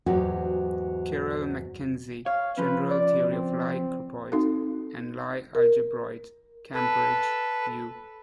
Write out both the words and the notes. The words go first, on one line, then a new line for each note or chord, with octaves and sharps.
Kirill Mackenzie, "General Theory of Lie Groupoids and Lie Algebroids", Cambridge U.
E2 G#2 F#3 A3 F#4 G4
C#5 F5
C#3 F3 C#4 B4
D5
C4
C4 D#4 F#4 A4
A#4
A4 B4